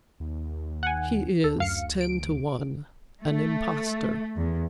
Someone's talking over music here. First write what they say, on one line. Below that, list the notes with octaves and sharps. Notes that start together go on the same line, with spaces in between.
He is, ten to one, an impostor.
D#2
F#5 G#5
D2 A4
F#2 F5 C#7
D7
A3
E2